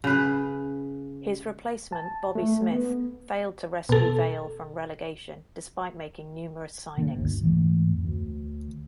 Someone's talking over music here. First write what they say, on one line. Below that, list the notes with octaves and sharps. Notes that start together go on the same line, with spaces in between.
His replacement Bobby Smith failed to rescue Vale from relegation despite making numerous signings.
C#3 B4
A5
A3
B3
B2 A4
D3 A#3
G1 D2
G#2 E3 G#3 A3
F2
D2